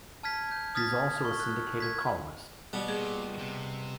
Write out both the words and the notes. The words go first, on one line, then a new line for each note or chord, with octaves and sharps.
He is also a syndicated columnist.
A5 F6 G#6 B6
G6
D#6 F6 G#6 A6 B6
C#6
F#6
G#6 B6
B2 G3
A#2 G#4
C3